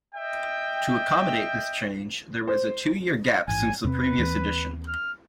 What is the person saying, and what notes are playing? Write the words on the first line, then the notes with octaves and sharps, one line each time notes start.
To accommodate this change, there was a two-year gap since the previous edition.
D#5 E5 G5
C5
A1 G#2 G#5
E2 C3 C4 B4
D#2 E3 C4
F6